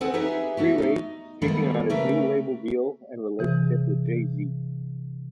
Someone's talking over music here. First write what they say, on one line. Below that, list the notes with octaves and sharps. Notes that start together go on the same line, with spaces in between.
Freeway, speaking on his new label deal and relationship with Jay-Z.
C4 G#4 A4 B4 F#5
D#4 G4 G#4 B4 E5
A3 B3 F#4 G4
D#4
D#3 G3 G#3 A#3 B3 A4
C#3 A3 C#4 G4 A#4 B4
C3 E3 G#4